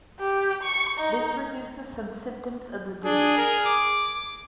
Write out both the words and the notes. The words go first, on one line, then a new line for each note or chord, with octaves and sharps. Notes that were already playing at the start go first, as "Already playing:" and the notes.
This reduces some symptoms of the disease.
G4
C#6
D#4
D4 G#4
A#4
D6